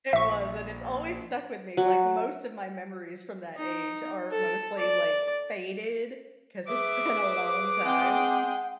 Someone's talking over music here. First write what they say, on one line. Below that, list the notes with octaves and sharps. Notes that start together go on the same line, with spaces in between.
It was and it's always stuck with me, like most of my memories from that age are mostly like faded, 'cause it's been a long time.
A#1 E5 C#6
F#3
D#4
A4
D5
G#4 B4 E5 D6
G#3 C4 F#5 G5